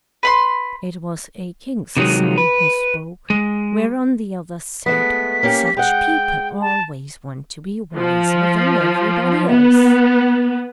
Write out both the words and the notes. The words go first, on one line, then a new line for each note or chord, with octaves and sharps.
It was a king's son who spoke; whereon the others said, "Such people always want to be wiser than everybody else."
B4 B5 C6
C3 D#3 F#3 G#3
B4
G#3
G#3 A3 B3 B6
A#3 C#4 G4
G#3 F#5 G5
A5
F3
B3